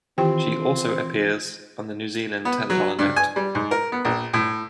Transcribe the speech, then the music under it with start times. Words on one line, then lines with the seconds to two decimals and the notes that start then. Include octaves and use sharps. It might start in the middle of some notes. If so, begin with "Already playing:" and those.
She also appears on the New Zealand ten-dollar note.
0.18 D#3 E3 C4 F4 G4 G5
2.45 B3
2.70 F#3
2.99 G2
3.16 G#5
3.36 G3
3.55 G#2
3.71 A#4
3.92 B3
4.05 A#1
4.33 A2